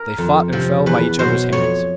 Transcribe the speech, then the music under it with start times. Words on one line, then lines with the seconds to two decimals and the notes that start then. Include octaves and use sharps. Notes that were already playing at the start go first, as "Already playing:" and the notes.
They fought and fell by each other's hands.
Already playing: A#4
0.18 F2
0.52 C3 F3
0.86 E2 B4
1.19 B2 F#3 C5
1.52 F2 C#5